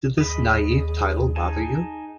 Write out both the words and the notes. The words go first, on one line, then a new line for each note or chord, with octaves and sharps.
Did this naive title bother you?
D#2 G#4 D#5 B5
D#4 G#5 A5